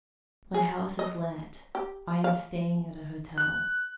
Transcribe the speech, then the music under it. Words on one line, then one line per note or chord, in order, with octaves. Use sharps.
My house is let; I am staying at a hotel.
G#4
D#5
G4
F5
F#6